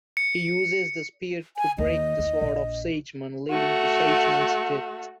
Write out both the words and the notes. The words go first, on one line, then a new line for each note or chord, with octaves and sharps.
He uses the spear to break the sword of Siegmund, leading to Siegmund's death.
C#7
G#5
D#2 D#5
D#2
A#1
A3 F#4